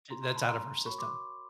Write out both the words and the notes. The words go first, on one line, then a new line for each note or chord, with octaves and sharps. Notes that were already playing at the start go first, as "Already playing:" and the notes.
and that's out of her system.
D#4 G4 C5 A#5 C6
A#5 C6
A5 B5
A#5 C6
F#4 A#4 C#5 B5 C#6
C6 D6